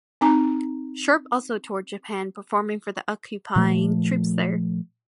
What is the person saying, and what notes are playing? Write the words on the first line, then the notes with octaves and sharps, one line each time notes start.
Sharp also toured Japan performing for the occupying troops there.
C4 D#4 G#5 A#5 D6
A#2 F3 A3